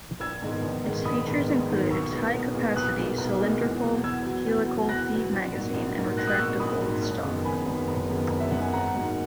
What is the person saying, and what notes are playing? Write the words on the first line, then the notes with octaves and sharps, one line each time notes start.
Its features include its high-capacity, cylindrical, helical-feed magazine and retractable stock.
A#1 E6 G#6
G#2 D#3 G#3 B3
A#1
G#2 D#3 G#3 B3
A#1 B5 D#6
G#2 D#3 G#3 B3
A#1
G#2 D#3 G#3 B3
B1 C#6 E6
A#2 G#3 B3
B1
A#2 G#3 B3
B1 D#6 F#6
A#2 G#3 B3
B1
A#2 G#3 B3
E2
B2 F#3
E2 E6 G#6
B2 F#3
E2
B2 F#3
E2 F#6 A#6
B2 F#3
A#1
G#2 F#3 A#3
A#1
G#2 F#3 A#3
A#1 F#6 A#6
D#6 F#6
G#2 F#3 A#3 C#6 E6
A#1 B5 D#6
G#2 F#3 A#3
F#1
F#2 D#3 G#3 B3
F#1 G#5 B5
F#2 D#3 G#3 B3
F#1
F#2 D#3 G#3 B3
F#1
E5
F#2 D#3 G#3 B3 F#5
G#5
G#1 F#5 A#5
G#2 F#3 A#3